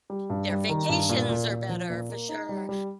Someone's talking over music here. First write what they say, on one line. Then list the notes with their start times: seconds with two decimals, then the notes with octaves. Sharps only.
their vacations are better for sure.
0.10 G3
0.30 G2
0.49 G3
0.69 D#3
0.89 G2
1.09 A#2
1.29 A#2
1.50 A#2
1.69 F3
1.90 A#2
2.09 A#3
2.29 D#4
2.49 G3
2.69 G3